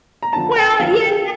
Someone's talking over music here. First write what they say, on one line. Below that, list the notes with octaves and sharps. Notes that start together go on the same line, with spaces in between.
Well, you
A#5
D#2 D3 F3 A5
G5
D#2 D3 F3 F5
G5